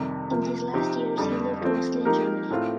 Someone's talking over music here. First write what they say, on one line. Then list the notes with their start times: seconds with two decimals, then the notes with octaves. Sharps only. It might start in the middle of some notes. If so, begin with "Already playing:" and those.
In his last years he lived mostly in Germany.
Already playing: F2 C3 D#3 G3
0.30 C3 F3 A#3
0.73 C3 F3 C4 D#4 G4
1.18 F2 D3 G3
1.61 F3 A3 C4
2.05 F3 A#3 D#4 G4 A#4
2.50 A2 A3 C4 F4